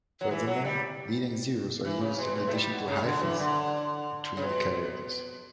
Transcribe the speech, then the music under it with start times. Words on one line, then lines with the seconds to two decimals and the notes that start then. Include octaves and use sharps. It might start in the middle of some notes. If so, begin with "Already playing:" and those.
Furthermore, leading zeroes are used in addition to hyphens between the characters.
0.21 F#3
0.30 E3
0.47 F#3
0.65 G3
1.85 E3
2.01 C#3
2.18 B2
2.35 B2
2.47 A3
2.53 G3
2.70 B2
2.88 C#3
3.04 D3
3.21 E3
3.39 D3
4.37 C#3
4.42 B2